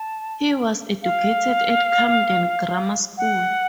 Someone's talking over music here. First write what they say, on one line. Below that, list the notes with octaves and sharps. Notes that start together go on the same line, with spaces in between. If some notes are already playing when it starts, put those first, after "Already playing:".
He was educated at Camden Grammar School.
Already playing: A5
F5
F#5